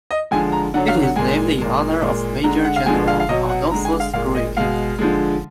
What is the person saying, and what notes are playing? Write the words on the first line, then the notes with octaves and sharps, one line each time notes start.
It is named in honor of Major General Adolphus Greely.
D#5
D3 F3 G#3 G#5
A#5
D3 F#3 F#5
F5
F#5
A#2 G#3 G#5
A#2 G#3
A#2 G#3
D3 G#3 A#5
F#5
F5
D3 F3 G#3 G#5
F5
F5
B2 F#3 D#5
F#5
D3 G#3 A#5
G#5
F5
A#2 G#3 F5
D#5
B2 G#3 F5
D3 F3 G#3